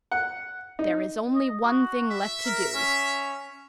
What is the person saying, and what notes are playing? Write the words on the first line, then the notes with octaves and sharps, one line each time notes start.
"There is only one thing left to do."
F#5
D#4
D#5
F#4
E5
A#4
C#4